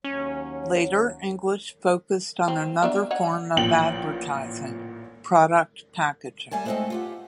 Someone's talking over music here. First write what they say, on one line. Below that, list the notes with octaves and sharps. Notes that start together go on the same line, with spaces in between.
Later English focused on another form of advertising: product packaging.
D#2 F#3 C#4
C4
B3 D4 E5
C#5 D#5 F#5
A1 A#2 F3 G5 F#7
G3 A3 G#5 A5
G#3 A3 B3 C4 D#4 A4
F4 G4 F#5